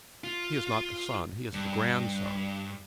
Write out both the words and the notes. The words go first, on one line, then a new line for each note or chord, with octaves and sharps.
He is not the son; he is the grandson.
F4
G2